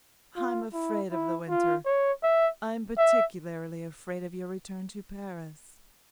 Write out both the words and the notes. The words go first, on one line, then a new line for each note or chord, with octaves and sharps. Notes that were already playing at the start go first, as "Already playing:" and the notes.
"I am afraid of the winter; I am particularly afraid of your return to Paris."
F4
E4
E4
F4
C#5
E5
E5